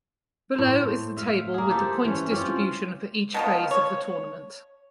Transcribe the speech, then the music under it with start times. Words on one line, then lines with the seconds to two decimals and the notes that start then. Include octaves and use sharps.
Below is the table with the point distribution for each phase of the tournament.
0.55 A2 C5
1.17 E5 F5
1.54 A#3 G#4
1.70 G4 A4 C5 E5
2.05 E3 C#4
2.30 C4 C#4 F4 G4
3.34 B2 D#3 F3
3.71 C#5